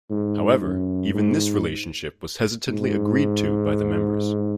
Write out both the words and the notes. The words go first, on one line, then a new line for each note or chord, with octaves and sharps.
However, even this relationship was hesitantly agreed to by the members.
G#2
F#2
G#2
G#2